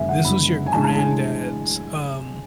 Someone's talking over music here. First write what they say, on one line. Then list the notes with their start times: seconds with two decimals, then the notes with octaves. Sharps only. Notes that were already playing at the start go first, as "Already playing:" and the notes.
this was your granddad's, um,
Already playing: F#1 F#2 D3 G#3 B3 E5 G#5
0.09 F#5
0.25 F#1 F#2 D3 G#3 B3 B5
0.66 G#5
0.73 A2 E3 G#3 D4 A5
0.84 A5
0.97 G#5